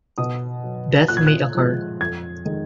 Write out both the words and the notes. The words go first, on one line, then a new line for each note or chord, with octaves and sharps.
Death may occur.
B2 D#6
F#3
A#2 F#6
G#6
F#6
F3 G#3
F2 G#6
D#3 G#3